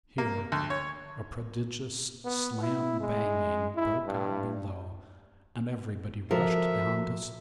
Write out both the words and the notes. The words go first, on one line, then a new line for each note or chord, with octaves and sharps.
Here a prodigious slam-banging broke out below, and everybody rushed down to see.
A#3
D2
C#5
B3
E4
G#3
E4
G2
F3 F#4 A4 A#4 E5